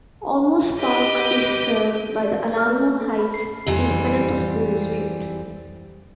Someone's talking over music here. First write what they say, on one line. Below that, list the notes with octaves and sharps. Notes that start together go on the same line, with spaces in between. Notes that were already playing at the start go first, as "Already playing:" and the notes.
Olmos Park is served by the Alamo Heights Independent School District.
G4 B4 D#5
D5
F6
B4
A4
B5
C7
F2 E3 G3 C4